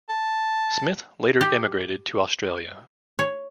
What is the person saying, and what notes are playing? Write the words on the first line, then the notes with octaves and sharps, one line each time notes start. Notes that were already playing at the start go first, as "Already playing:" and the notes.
Smith later emigrated to Australia.
A5
G4
C#5